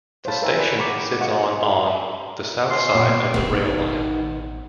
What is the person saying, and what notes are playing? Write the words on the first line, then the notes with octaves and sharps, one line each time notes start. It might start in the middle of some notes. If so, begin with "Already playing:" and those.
The station sits on on the south side of the rail line.
C5 C#5 F5 A5 B5
A#4 B4 C#5 E5 G5 G#5
B4 D5
F#5 A#5 B5 C#6 D6
D#5 F5 F#5 C#6
F4 C#5 G#5 C6
A#2 G3 B3
A1 B2 D#3 B3 C4